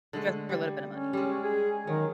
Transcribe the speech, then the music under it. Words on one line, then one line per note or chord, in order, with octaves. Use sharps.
just for a little bit of money.
D3 G#3 A3
G3
C#4
G3 G#3
G#4
D#3 F#3